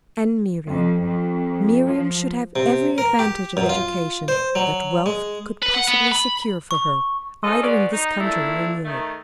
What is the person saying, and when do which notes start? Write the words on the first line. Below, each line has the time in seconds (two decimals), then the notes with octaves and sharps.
And Miriam--Miriam should have every advantage of education that wealth could possibly secure for her, either in this country or in Europe.
0.70 F2
1.03 F2
1.88 F3
2.56 C3
2.98 A#4
3.19 G4
3.57 F#2
3.69 F4
4.28 C5
4.55 F#3
5.06 G#3
5.63 B4
5.75 F#5
5.88 B3
6.12 B5
6.71 C#6
7.44 G#2 C#4 D#4 F4 A4 D#5
7.63 F#3 G#3 B3 C#4 D5
7.92 D#4
8.20 A#2 A3 A#3 D4 E4
8.85 D#3 A3